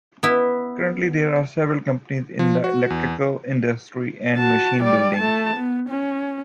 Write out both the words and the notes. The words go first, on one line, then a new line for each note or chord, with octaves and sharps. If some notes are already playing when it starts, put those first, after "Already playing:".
Currently, there are several companies in the electrical industry and machine building.
B3 E4
F3
F#4
E2
F#4 A5
G3 D5
A3 A5
B3
C#4